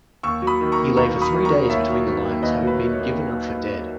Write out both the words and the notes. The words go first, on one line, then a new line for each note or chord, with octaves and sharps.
He lay for three days between the lines having been given up for dead.
D#2 C#6 E6
F#3
B5 D#6
D#3
A#5 C#6
A#3
D#2 A#5 C#6
F#3
B5 D#6
D#3
A#5 C#6
A#3
D#2 C#5 E5
F#3
D#3
A#3
D#2 B4 D#5
F#3
B4
D#3
C#5
A#3